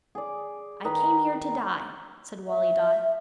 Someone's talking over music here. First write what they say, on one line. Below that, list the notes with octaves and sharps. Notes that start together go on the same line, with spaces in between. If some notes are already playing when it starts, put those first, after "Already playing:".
'I came here to die,' said Wali Dad.
G#4 D5
D#3 D#4 B4
E5